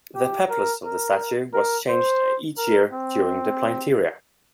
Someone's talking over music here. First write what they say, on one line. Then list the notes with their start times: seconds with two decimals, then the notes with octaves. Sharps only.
The peplos of the statue was changed each year during the Plynteria.
0.15 G4
0.50 A#4
0.85 A#4
1.54 A#4
1.89 C5
2.58 A#4
2.92 C4